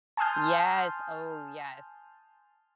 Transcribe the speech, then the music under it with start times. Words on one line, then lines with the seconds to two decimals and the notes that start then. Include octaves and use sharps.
Yes, oh, yes.
0.17 G#5 A5 C6 D#6 F6 G6